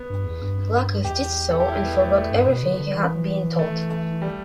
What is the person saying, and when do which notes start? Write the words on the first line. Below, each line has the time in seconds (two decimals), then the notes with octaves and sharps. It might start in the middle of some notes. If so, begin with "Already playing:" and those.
Glaucus did so and forgot everything he had been taught.
Already playing: B3
0.10 G2
0.25 E2
0.42 G2
1.05 E2 G4
1.51 A4
1.60 G4
1.68 E4
1.84 B3
2.00 A3
2.16 A3
2.31 G2 B3
2.47 B2
2.63 D3
2.79 D3
2.96 E3
3.59 A3
3.90 A3
4.22 G3